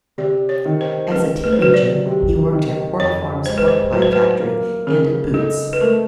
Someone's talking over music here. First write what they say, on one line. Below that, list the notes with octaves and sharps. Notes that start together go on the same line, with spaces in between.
As a teenager he worked at Pork Farms pork pie factory and at Boots.
C3 D5
C#5
D#3
C5
C#2 B4
B4
C5
F#3 B4
D5
C3
D#3
F2 C#5
G#3 C5
B4
C5
F#3 B4
C5
B4
A#3
C#3 A#4
D#4 A4
B4
A3 A#4